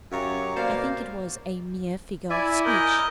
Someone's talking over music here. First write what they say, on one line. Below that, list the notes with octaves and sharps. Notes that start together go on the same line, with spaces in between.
I think it was a mere figure of speech.
F#2 G4 C#5 F5 A#5
B2 A#3 C5 D5 F5
E4 D5 E5 G#5
A#4 D#5 G#5 G6